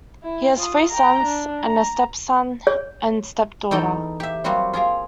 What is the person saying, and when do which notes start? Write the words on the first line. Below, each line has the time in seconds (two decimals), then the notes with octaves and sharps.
He has three sons, and a stepson and stepdaughter.
0.23 E4
0.56 F4 D#6
0.91 G5 A#5
1.23 D4
1.60 A#5
2.67 C#5
3.71 E2 D#4 A4 G5
4.20 G4 E5
4.44 F#3 G3 A#3 C4 F#4 G4
4.73 F4 G#4 A#4 A#5